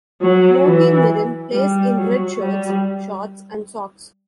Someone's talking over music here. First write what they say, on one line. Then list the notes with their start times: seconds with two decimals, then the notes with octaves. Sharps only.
Mogi Mirim plays in red shirts, shorts and socks.
0.22 F#3
0.65 E3
1.52 G3
1.96 F#3
2.40 G3